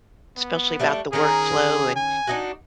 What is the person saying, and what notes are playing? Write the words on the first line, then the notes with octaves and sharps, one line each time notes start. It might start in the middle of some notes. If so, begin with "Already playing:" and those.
especially about the work flow and
B3
G3 A3 D4
D#3 C#4 G#4 A#4
G#5
D4 D#4 F#4